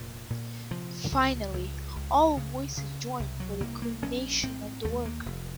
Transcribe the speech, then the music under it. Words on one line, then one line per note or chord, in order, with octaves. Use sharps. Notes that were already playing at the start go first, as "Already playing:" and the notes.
Finally all voices join for the culmination of the work.
Already playing: F1 A#2
A#2
C3 F3
C#2
C#2
C#2
C#3
C#3
C2
F#3
C2 A#3
A#3
A#1 C#4
A2 C4
D#2 A3
A#3
F1